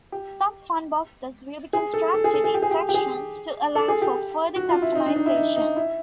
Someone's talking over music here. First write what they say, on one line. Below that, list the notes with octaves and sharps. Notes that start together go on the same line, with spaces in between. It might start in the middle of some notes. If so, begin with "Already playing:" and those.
Some funboxes will be constructed in sections to allow for further customization.
G4
G#4
A4
A4
G#4
A4
G#4
G4
G#4
G4
G4
G#4
A4
G#4
G4
F#4
F4
E4
D#4
D4
D#4
E4
D#4
D#4
E4